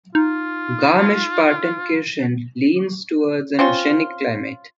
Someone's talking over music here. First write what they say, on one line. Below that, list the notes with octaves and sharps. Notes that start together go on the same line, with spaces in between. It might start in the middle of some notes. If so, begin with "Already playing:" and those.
Garmisch-Partenkirchen leans towards an oceanic climate.
D#4 F4
C4 C#4 F4